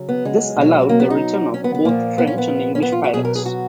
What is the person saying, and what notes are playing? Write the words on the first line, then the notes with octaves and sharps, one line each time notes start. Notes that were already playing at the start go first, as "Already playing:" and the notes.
This allowed the return of both French and English pirates.
Already playing: C#3 F#3
B3
G#3
B2 F#3
A#3
B3
D#4
C#4
B3
B3
A#2 F3 A#3
B3
C#4
B3
C#4
B3
F4
F#4
B2 F#3 G#4
A#4
G#4
F#4